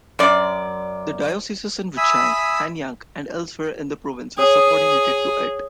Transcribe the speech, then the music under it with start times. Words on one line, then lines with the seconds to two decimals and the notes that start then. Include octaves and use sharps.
The dioceses in Wuchang, Hanyang, and elsewhere in the province, were subordinated to it.
0.19 F#2 D5
1.97 E5 G#5 B5 D#6 E6
4.38 G#4 C#5 D#6